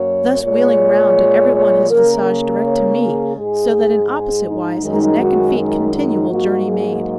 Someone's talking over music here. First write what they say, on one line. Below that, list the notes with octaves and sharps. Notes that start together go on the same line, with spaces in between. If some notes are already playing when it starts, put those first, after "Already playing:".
Thus, wheeling round, did every one his visage Direct to me, so that in opposite wise His neck and feet continual journey made.
Already playing: F#2 F#3 A#3 C#5
A#2 G#3 C#5
C#5
C#3 A#3 A#4
C#5
G#4
G#2 G#3 G#4
G#4
D#4
F#2 D#3 G#3 D#4
F#4
D#4
D#4
G#2 F#3 A#3 F#4
G#4